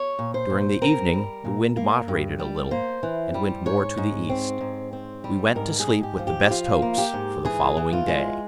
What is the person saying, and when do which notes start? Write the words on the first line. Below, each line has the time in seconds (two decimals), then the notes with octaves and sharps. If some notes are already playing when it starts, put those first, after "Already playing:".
During the evening the wind moderated a little, and went more to the east; we went to sleep with the best hopes for the following day.
Already playing: C#5
0.19 A#2
0.34 C5
0.50 A#2
0.81 C4 A#4
1.13 G3
1.45 A#2
1.77 A#3
2.08 G2
2.39 G3
2.71 A#3 C5
3.03 E3
3.34 G3
3.66 G#2 C#5
3.97 G#2
4.29 C4
4.61 G#2
4.93 C4
5.24 G3
5.56 G#2 A#4
5.80 G#4
5.87 G#2
6.03 G4
6.19 F3
6.27 G4
6.51 F3 F4
6.82 A#3
6.98 G4
7.14 G#2
7.45 E3 G#4
7.77 E3
7.93 F4
8.08 G#3